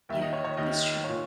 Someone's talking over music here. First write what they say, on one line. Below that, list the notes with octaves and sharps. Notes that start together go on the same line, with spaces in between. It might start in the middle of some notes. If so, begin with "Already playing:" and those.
Yeah. That's true.
D#2 D#3 E5
D#5
C#5
C#5
D#2 D#3 D#5
A#2 C#5